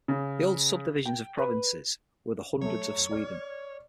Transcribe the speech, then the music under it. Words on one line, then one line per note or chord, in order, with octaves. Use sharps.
The old subdivisions of provinces were the Hundreds of Sweden.
C#3
G5
B4
F#3 A3 C#5
D5 F6